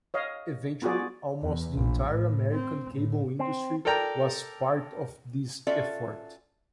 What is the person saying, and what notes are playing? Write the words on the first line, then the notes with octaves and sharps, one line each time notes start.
Eventually, "almost the entire American cable industry" was part of this effort.
C#5 D#5 F5
B3 F4 F#4 G#4 D5
E2
A#1
A2
C4
A2
C4
A4 A#4 D5 G5 A#5
C#4 F4 F#4 A4 D5 E5